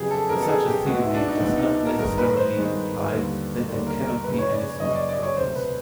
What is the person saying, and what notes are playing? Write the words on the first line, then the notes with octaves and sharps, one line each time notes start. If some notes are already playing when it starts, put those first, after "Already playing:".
Such a theory does not necessarily imply that there cannot be any social progress.
Already playing: F2 C#3 F#3 B3 G4 G#4
A4
F2 C#3 F#3 B3 A#4
A4
G#4
G4
C#2 B2 G#3 B3 F#4
E4
D4
D#4
C#2 B2 G#3 B3
D#4
A#4
G2 D#3 G#3 B3 A#4
B4
C5
G2 D#3 G#3 B3
D#2 D3 G3 A#3
D#2 D3 G3 A#3
A#4
A#4
F#1 F#2 C#3 B4
C#5
D5
F#1 F#2 C#3 D#5
D5
D5
C#5
E1 D2 C3 C5
B4